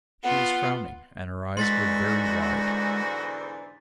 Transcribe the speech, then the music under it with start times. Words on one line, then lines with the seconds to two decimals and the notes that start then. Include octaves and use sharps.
She was frowning, and her eyes were very wide.
0.24 B3 F4 F#5
1.57 E2 G#2 D3 G#3 F#4 C6 A6 B6